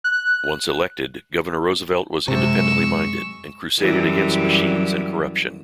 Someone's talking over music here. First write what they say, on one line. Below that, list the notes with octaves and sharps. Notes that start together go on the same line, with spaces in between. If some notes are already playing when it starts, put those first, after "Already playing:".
Once elected, Governor Roosevelt was independently minded, and crusaded against machines and corruption.
F#6
F#2 C3 F#3 G#3 C#6 E6
F#2 E3 G3